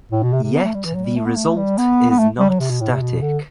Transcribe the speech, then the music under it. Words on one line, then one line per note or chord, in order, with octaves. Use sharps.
Yet the result is not static.
A2
B2
C3
C3
B3
A3
G3
E3
F#3
G3
A3
B3
A3
G3
B3
B3
A3
G3
F#3
C3
B2
A2
C3
B2
D3